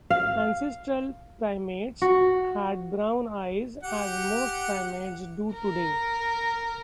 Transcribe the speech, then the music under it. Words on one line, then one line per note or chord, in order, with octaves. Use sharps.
Ancestral primates had brown eyes, as most primates do today.
F5
F#4
G4 F#5
A#4